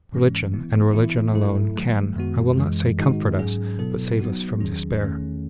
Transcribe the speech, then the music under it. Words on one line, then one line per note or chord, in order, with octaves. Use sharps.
Religion, and religion alone, can--I will not say comfort us--but save us from despair.
G#2 E3 G#3 C#4
E3 B3 E4
E3 B3 E4
G#2 F#3 A3 E4 A4
D#3 F#3 A3
F#2 D#3 G#3 B3 F#4
F#2 E3 G#3
G#2 D#3 G#3 D#4 F#4
G#2 F#3 C#4 G#4
B2 F#3 B3 E4 A4
F#3 B3 D#4 F#4
E2 D#3 F#3 C#4 G#4
E2 D#3 A3 C#4 G#4